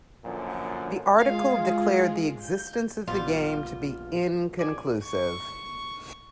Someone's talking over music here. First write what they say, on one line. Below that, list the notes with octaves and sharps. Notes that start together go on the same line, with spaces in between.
The article declared the existence of the game to be "inconclusive".
F#2 A#2 D3 F3
G#3 F4 G#4 F5
G6
A#1 G3 B3 F4
D5 G#5
C#6